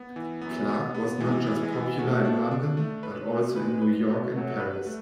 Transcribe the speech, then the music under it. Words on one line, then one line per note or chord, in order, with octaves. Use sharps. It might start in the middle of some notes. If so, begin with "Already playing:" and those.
Clark was not just popular in London, but also in New York and Paris.
Already playing: B3
E3
F#2 F#3 B3
B3
B3
G#2 E3 G#3
E3
G#2 G#3
B3
A2 A3 F#4
D4
D4
A3
B4
A3
G#2 G#3 B4
B4
A3
F#2 F#3 A3
B4
A3